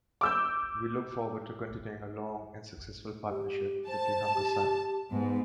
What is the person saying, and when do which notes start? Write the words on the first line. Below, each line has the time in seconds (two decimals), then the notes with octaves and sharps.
We look forward to continuing a long and successful partnership with The Hunger Site.
0.21 D6 E6 G6
3.29 G4
3.88 C5 A5
4.35 G4
5.11 G#2 B3